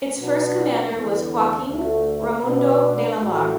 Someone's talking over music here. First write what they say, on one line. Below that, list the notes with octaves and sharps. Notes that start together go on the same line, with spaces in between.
Its first commander was Joaquim Raimundo de Lamare.
B2 F#3 B3 D4
E2 D3 B3
D2 D3 A3
B2 B3 D4 B4
A1 A2 A3 F#4